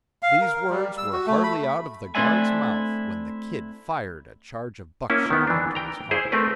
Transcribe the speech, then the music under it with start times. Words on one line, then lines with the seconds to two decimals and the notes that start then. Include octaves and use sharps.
These words were hardly out of the guard's mouth when the "Kid" fired a charge of buckshot into his heart.
0.23 F5
0.41 A#4
0.70 G3
0.98 E6
1.13 F#4
1.27 A3
1.43 B5
2.15 A3 C4 D4 E4 E5 G#5
5.10 A#3 C#4 E4
5.30 D#3 B3
5.47 E3 D4
5.75 G5 A#5
6.11 E4 G#4 C5
6.32 A3 C4 A#4 B4